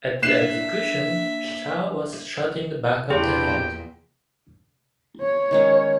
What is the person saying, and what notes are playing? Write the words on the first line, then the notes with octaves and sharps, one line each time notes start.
At the execution, Shah was shot in the back of the head.
A#3 D4 E5 F#6 C7 E7
E2 A#2 C4 D4 G4 G#4 B4 G5
C#5
D#3 G#3 C#4